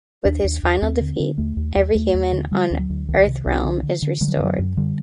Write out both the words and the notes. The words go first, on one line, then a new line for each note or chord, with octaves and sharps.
With his final defeat, every human on Earthrealm is restored.
D#2 D4
D#2
D#2
D#2 C4
D3
D3
D#2 A3
D#2
D#2
D#2 A3
D#2
D3
D3 G3
D2 D#3
F#3
D2
C2 D#3
C3
C2
D3
D3
D3
D3 G3
F#3
D#3
F#2 F#3
F#2
D3 G3